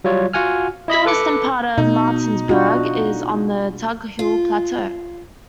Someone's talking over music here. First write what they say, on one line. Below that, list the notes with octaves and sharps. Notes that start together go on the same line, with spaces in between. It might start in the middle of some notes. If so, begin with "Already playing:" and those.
The western part of Martinsburg is on the Tug Hill Plateau.
F#3 G3 F4 C#5
F4 F#4 F#5 G#5 F6
E4 D#5 B5 B6
A4 B4 D6 C#7
B2 D#4
D4 F4 F#4
F4